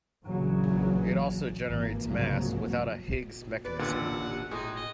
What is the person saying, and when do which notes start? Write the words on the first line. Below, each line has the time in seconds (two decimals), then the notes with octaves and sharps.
It also generates mass without a Higgs mechanism.
0.24 A#1 A#2 C#3 E3 F#3
1.65 G#1 E3 A#3
2.07 C2 G#2 C#3 F3 F#3 A#3
3.65 B4 D5
3.79 A1 D#2 A#2 D3 A4 F#5
4.51 A2 G#3 D#4 G#4
4.76 D#5